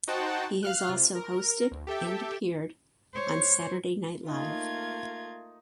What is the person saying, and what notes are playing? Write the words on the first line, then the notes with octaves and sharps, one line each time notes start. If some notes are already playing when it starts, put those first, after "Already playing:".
He has also hosted and appeared on "Saturday Night Live".
D#4 F#4 C5 F#5 G5 A5
F5 F6 F#6
C3 F4
A#4
D2
G4 A4 E5 G5
C5 C#5
A3 A#3 D#4 F4 G#6